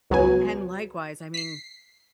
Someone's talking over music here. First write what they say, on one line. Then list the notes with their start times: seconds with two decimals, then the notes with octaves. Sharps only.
and likewise, I mean
0.10 C#2 F#3 B3 G#5
1.34 B6 C7